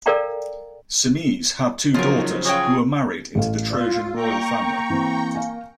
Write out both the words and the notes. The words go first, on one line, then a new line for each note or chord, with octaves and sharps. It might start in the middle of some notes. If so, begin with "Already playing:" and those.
Simoeis had two daughters who were married into the Trojan royal family.
A4 A#4 D5 F5 G5 A#5
C#3 F3 F#3 D#4 F4 A#4 C5 C#5
C#4 F4 F#4 G#4 C#5 G5
A1 A4 F5
F4 D5 E6
A#3 G5 A#5 C#6
E3 C4
F5 G#5